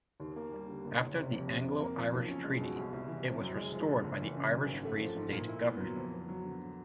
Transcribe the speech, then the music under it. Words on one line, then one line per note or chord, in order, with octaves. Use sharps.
After the Anglo-Irish Treaty, it was restored by the Irish Free State government.
D#2
A#3
G3
D3
F#1
F#1
C3
F2
C3
C3
A#3
F3
B1
C#4
G#3
B2
C2
C2
E3
C3
F#2
G#3
F3
D3
F#1
E3
C#3
F#2
G#1
A3
F3
G#2
A#2
E4
B3
F#3
F2
B3
F#3
D3